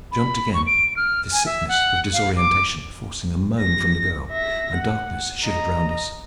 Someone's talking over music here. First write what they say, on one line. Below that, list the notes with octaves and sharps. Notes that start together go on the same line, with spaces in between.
We jumped again, the sickness of disorientation forcing a moan from the girl, and darkness shivered round us.
B5
C#6
D7
F6
G#5
E5
F#5
F5
D6
A#6
E5 A#6
F#5
D#5 A#5